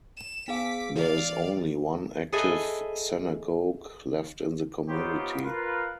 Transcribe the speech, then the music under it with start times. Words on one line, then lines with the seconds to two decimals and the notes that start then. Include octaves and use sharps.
There is only one active synagogue left in the community.
0.17 E7
0.48 B3 G#4 F5 D6 B6
0.95 E3 D5 F5
2.32 G#4 A4 B4 D#5 E5 G#5
4.88 B3 D#4 F4 G4 C5 C#5
5.43 F4 A#4 B4